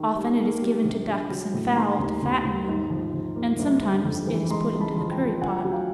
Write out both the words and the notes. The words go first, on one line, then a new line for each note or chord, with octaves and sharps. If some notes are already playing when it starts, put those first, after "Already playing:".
Often it is given to ducks and fowl to fatten them, and sometimes it is put into the curry pot.
Already playing: D#3
G3
A#3
G3
A#1
A#1
F#3
A2
D#3 A#5 C6
D#2
D#2
D#2
G#1
F3
F3
A#3
G1
G1
F2
E3
G#3 A#5 C6
C#2
A5 B5
F3
G5 A5
F3
D2 F#5 G#5
F#3
F5 G5